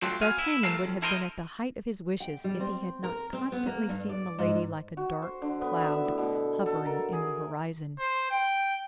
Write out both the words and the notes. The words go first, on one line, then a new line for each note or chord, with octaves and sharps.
D'Artagnan would have been at the height of his wishes if he had not constantly seen Milady like a dark cloud hovering in the horizon.
F#3 A3 C4 D4 F4 F#4
B3 F#4 F5 G#5
E4
G3 A3 A4 A#4 F5
F2
E4 A4 A#4 C5 D#5
G5
G3
C4
A#4
C4
B3
A#3
G2
D5
G#2
F#4
C5
D3
B3
E5
A2
B2
A4
A#4
G#4
C5
G5